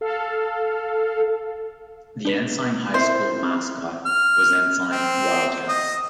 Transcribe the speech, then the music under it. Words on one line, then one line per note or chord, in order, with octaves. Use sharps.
The Ensign High School mascot was Ensign Wildcats.
A4 F5
D4 B4 B6
C4 E4 C5 E5
F6
C4
D#5